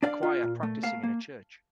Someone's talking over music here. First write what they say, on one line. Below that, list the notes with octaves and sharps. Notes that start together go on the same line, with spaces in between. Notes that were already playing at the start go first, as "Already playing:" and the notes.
A choir practicing in a church.
D4 D5 F5
F4
A#2
A3
A#3 F5 A5
A#3